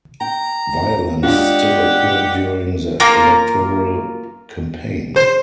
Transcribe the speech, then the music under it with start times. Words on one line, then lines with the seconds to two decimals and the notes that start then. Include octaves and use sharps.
Violence still occurred during the electoral campaign.
0.21 G5 A#5
1.23 G#3 C#4 D4 F4 G4 F#5
3.00 A#3 F4 A#4
5.16 C5